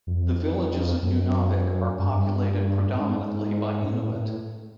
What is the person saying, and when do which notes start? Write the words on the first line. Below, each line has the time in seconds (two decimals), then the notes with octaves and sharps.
The villages of Nunavik are populated predominately by Inuit.
0.07 F2
1.03 F#2
1.99 G2
2.95 G#2
3.85 G#2
3.91 A2
4.15 A2